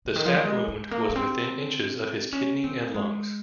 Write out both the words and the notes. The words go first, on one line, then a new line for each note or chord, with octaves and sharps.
The stab wound was within inches of his kidney and lungs.
C#3
D#3
F3
G3
G#3
G#3
A#3
A#3
C4
C#4
C4
G#3